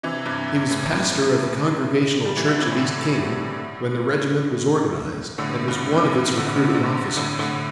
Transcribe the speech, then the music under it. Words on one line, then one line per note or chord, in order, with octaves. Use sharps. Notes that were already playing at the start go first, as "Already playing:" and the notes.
He was pastor of the Congregational church at East Canaan when the regiment was organized, and was one of its recruiting officers.
C3 E3
G2 C3
G2
A2
A2
G3
E3
D3
C3
A2
A2 D3
G2
C3
A2
C3
D3
C3
D3
C3
D3
G2 C3
A2 D3
A2 D3